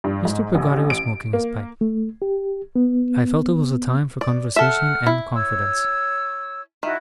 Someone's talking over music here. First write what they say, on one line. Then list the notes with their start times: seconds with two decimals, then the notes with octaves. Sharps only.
Mr. Peggotty was smoking his pipe. I felt it was a time for conversation and confidence.
0.04 G2
0.25 G#2
0.55 A1
0.90 D7
1.33 A#3
1.81 A3
2.22 G4
2.76 B3
4.21 D5
4.56 A4 E5 F#5 F6
5.07 E4
5.33 C#5 E6
6.83 D#3 E4 F#4 E5